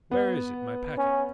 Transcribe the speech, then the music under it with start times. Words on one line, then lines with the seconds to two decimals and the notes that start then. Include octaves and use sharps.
"Where is it, my packet?"
0.11 B3
0.98 C#4